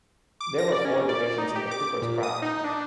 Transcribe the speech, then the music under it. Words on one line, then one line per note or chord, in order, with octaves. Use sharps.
There were four divisions in the cooper's craft.
D6
A#6
D5
C#4
D5
D#4
G4
D6
A#2
D#6
D#4
D4